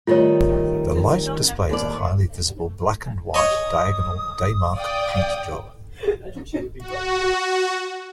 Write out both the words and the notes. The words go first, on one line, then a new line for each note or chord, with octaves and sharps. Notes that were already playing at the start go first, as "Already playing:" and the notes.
The light displays a highly visible black and white diagonal Daymark paint job.
D#3 G3 A3 F4 C#5
D#2 D5
C#5 D#5 D#6
D5 F5 G5 D#6
F#4